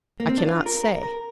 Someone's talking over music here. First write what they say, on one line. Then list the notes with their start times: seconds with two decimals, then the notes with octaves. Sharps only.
I cannot say.
0.20 A#3
0.29 C4
0.38 D4
0.47 F4
0.66 A#4
0.83 A#4
1.03 A#4